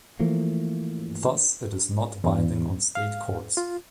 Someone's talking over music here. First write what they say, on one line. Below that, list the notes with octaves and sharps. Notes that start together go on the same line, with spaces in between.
Thus, it is not binding on state courts.
E3 F3 A3 A#3
E2
F5
F4